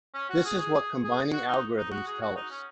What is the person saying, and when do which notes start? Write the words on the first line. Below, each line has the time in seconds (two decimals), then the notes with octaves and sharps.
This is what combining algorithms tell us.
0.14 C#4
0.30 F#4
0.45 G#4
0.59 G#4
0.74 G#4
1.04 G#4
1.33 F#4
1.47 D#4
1.77 D#4
1.91 F#4
2.07 G#4
2.21 F#4
2.36 D#4
2.51 C#4